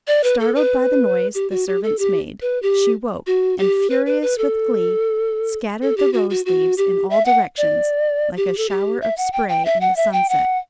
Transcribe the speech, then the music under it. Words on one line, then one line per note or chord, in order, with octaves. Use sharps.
Startled by the noise the servants made, she woke, and, furious with glee, scattered the rose-leaves in all directions, like a shower of spray in the sunset.
D5
B4
A4
B4
G4
F#4
G4
A4
G4
B4
G4
F#4
G4
B4
B4
B4
A4
A4
G4
F#4
F#4
F#4
G4
E5
F#5
D5
G4
A4
G4
E5
F#5
G5
G5
E5
F#5
E5
G5
F#5